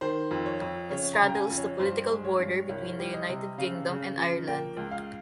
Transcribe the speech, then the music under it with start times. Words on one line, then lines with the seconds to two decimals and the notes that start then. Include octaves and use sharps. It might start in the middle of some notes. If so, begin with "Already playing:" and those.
It straddles the political border between the United Kingdom and Ireland.
0.01 D#3 C5
0.31 F2
0.46 C#5
0.61 F2
0.90 C#3 C#5
1.13 A#5
1.21 C#3
1.28 G5
1.35 G#5
1.50 F2
1.58 C#5
1.80 G2 C5
2.10 G#3
2.24 C#5
2.40 G2
2.69 C2 C#5
2.99 G3
3.14 D#5
3.29 C3
3.58 C#3 F5
3.88 C#3
4.17 F3
4.47 A#3 G5
4.77 C#2
4.91 F5